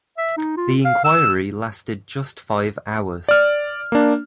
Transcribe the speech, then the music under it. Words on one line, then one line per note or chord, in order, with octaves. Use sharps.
The enquiry lasted just five hours.
E5
D#4
F4
F5
E6
D5 F6
A#3 D4